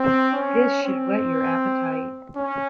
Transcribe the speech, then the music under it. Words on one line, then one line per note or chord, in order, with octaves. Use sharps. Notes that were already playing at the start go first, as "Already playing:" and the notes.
This should whet your appetite.
Already playing: C4
C#4
C4
C#4